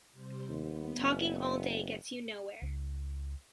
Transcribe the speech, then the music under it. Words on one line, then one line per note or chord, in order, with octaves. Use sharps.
Talking all day gets you nowhere.
C3 G3 C5
D#2 B3
F#1
C#2